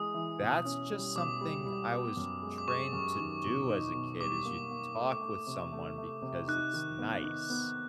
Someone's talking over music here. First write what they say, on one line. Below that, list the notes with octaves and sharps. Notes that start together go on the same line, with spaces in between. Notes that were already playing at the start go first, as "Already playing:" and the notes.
"That's just something I was trained to do as a kid is you talk with someone because it's nice."
Already playing: E3 G#3 D#6
E3
B2
C#4
G3
B2 D6
G3
G3
B3
F#2
G#3
D6
G#3 C#6
F#2
D#3
B2
D#4
B2
G3 D6
A#3
A#3
A3
A3
C3
A3
A3
C3
D#4 F#6
D#3
B3
D#4
B3